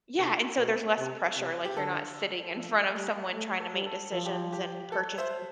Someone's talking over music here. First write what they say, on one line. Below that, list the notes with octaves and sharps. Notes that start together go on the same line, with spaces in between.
Yeah, and so there's less pressure, like, you're not sitting in front of someone trying to make decisions and purchasing
C3 A4
B2
C3
C3
G4
D3 A4
F3
G3
A3
A4
G3
A4
F3 A4
G4
G4
A4
C5 E5